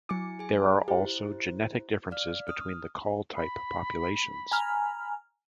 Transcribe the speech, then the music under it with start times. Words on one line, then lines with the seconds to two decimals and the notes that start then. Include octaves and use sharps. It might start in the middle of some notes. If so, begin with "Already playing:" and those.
There are also genetic differences between the call type populations.
0.09 F#3 E4 G#5 D6 C#7
0.39 G#4 G#5
0.88 E4 G4 C5
2.11 D5 F5 F6
2.48 D#6 F6
3.35 B5
4.52 G#5 A#5 F6